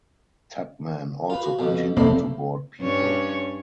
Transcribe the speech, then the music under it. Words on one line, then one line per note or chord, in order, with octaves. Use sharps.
Tubman also continued to board people.
F4 B4
F#4
F2 B2
F1 E2 A3 A#3 C4 B5
G2 C#4 C#5